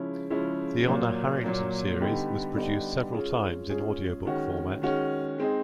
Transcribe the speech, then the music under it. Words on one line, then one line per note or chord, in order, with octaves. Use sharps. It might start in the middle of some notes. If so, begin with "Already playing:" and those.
The Honor Harrington series was produced several times in audiobook format.
Already playing: C#3 F3 G#3 C#4 E4
C#3 F3 G#3 C#4 E4
A#2 F#3 A#3
A#2 F#3 A#3
D3 G3 B3 D#4 G4
D3 G3 B3 D#4 G4
G#3 C#4 F4 G#4
G#3 C#4 F4 G#4
D#3 G#3 C#4 F#4
D#3 G#3 C#4 F#4
G#3 C4 D#4 G#4